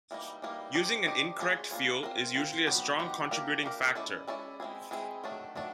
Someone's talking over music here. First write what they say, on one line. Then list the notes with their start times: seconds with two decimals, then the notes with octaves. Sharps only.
Using an incorrect fuel is usually a strong contributing factor.
0.11 E3 G3 A#3 D#4
0.42 E3 G3 A#3 D#4
0.74 D4 G4 C5 D#5
1.06 D4 G4 C5 D#5
1.39 A#3 D4 F4 G#4 C#5
1.71 A#3 D4 F4 G#4 C#5
2.03 C4 F4 A#4
2.35 C4 F4 A#4
2.67 D#3 F#3 B3 D#4 G4
2.99 D#3 F#3 B3 D#4 G4
3.31 A#3 D4 G4 A#4
3.63 A#3 D4 G4 A#4
3.95 G#3 C#4 E4 A4 D5
4.28 G#3 C#4 E4 A4 D5
4.60 G#3 C4 E4 G#4
4.91 G#3 C4 E4 G#4
5.24 D#3 F#3 A3 D4
5.55 D#3 F#3 A3 D4